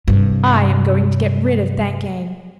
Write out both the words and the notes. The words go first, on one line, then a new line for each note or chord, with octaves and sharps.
'I am going to get rid of Thakane.'
G2 C3